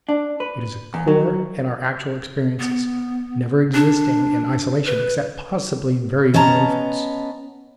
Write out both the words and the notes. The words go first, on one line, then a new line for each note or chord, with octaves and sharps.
It is a core in our actual experiences, never existing in isolation except possibly in very young infants.
D4
B4
E2
F#3
B3
D4
B4
B3 C#4 D#5 A5 A#5